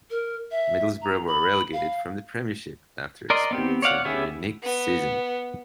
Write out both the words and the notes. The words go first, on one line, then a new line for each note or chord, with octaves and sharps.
Middlesbrough were relegated from the Premiership after experiencing a unique season.
A#4
E5
A#5
B5
F5
A#4 D5 D#5 C6
B3 C4 G4
C#5 D5 F5 F#5
B3 C#4 G4 G#4 E5
B3